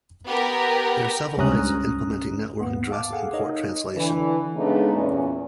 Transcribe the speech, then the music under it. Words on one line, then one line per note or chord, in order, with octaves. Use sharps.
There are several ways of implementing network address and port translation.
B3 G4 A#4
C#2 G2 C#4 A#5 D#6 F#6
D#2 G#2 A#3 B3
F5 A5 D6
G#4 A4 F5 F#5 G#5
D#4 A#4 C#5 D#5
D3 E3
C#3 G#3 A3 B3 D4 D#4
E2 A#2 C#4